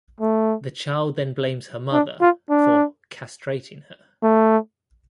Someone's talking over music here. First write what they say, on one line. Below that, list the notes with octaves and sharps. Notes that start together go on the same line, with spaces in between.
The child then blames her mother for "castrating" her.
A3
D4
F4
D4
A3